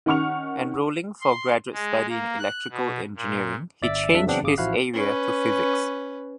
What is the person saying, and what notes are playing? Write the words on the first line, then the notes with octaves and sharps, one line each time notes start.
Enrolling for graduate study in electrical engineering, he changed his area to physics.
D#3 C#4 F#5 C#6 F6 F7
C6
G#3
A#3
F#6
B2
A#2
G1 D5 E5 D6 E6
F2 G3 D4 E5
C#3 E3 F#3 B3 C4 D4
G#1 C#3 D6 D#6
A1 F3 E4 F#4 F5 F#6
C#4 B4